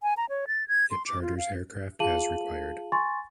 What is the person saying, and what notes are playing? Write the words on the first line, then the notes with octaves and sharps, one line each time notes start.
It charters aircraft as required.
G#5
A#5
C#5
A6
G#6
C6
D6
F4
F5
F4 G#4 F5 A5 D#7 F#7
G#5 C6 C#6 A6